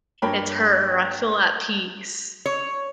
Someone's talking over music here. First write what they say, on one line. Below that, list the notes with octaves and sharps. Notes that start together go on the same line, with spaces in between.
it's her. I feel at peace."
G2 A#3 A#4 C#5 G5 B5
C#5